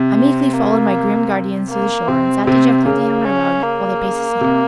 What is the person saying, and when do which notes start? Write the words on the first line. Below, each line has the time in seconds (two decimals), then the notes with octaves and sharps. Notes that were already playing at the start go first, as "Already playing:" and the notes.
I meekly followed my grim guardians to the shore and sat dejectedly on my rug while they paced the sand.
Already playing: C3
0.15 C4
0.53 A#3
1.70 A#3
2.08 C3 C4
2.47 C3 C4
2.86 C#3 A#3
3.25 C#4
3.63 A#3
4.41 C3